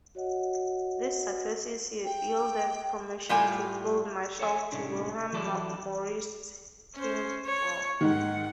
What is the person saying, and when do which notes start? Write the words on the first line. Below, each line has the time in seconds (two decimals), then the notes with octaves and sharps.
These successes yielded promotion to Field Marshal to Wilhelm Mauritz Klingspor.
0.15 F#4 C#5 D#5 F#5
2.05 G5
3.29 A2 G3 F4 G4 G#5
4.39 A4 C#5 E5 F#5 G#5
4.72 C2 A2 A3 C#4 D4
5.33 E3 F#3 E4 A4 D5
6.96 C#4 C5
7.46 C#5
8.01 G#2 D#3 F#5